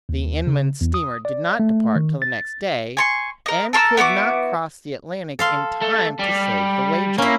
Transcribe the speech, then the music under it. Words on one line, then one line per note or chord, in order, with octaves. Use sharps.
The Inman steamer did not depart till the next day, and could not cross the Atlantic in time to save the wager.
D#2
C#3
E2
D#6
D5
A3
D#3
A6
G#5 C6 C#6
A#4 D#5
A4 A#4 C6 E6
B3 E4 F#4 D6
A4 F5 C6
A3
G3
A#3 C#4 E4